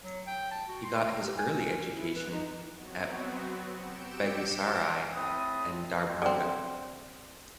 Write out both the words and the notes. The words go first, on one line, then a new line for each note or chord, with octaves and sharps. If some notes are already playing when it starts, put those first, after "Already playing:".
He got his early education at Begusarai and Darbhanga.
F#3
G5
A5
F#4
C6
G4
G#5
A#4
E4
B4
D#4
F#3 B3 C4 F#4
G4 E6 G6 C#7 D7 E7
A2 C4 A4 B4 B5 D#6
D3 C4